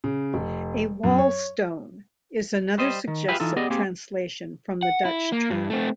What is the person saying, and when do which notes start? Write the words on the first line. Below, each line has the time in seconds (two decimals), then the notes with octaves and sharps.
A "wall stone" is another suggested translation from the Dutch term.
0.04 C#3
0.34 F1
1.04 F#2
1.18 C#5
2.78 G3 C5 D#5
3.08 D#3
3.28 F4 G4 G#4 B4 E5 F5
3.40 E3 D#4 F4 A4
3.56 B3 G4 G#4 D5 D#5
3.70 A#3 C4 G4 G#4
4.83 F#5
5.05 E4
5.32 A#3
5.51 G2
5.70 A3 C4